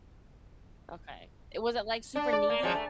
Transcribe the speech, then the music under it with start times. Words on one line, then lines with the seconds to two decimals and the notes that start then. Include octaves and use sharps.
Okay, it was it, like, super needy?
2.16 D4
2.33 D5
2.50 A#3
2.63 F3 F#3 G#3
2.75 A3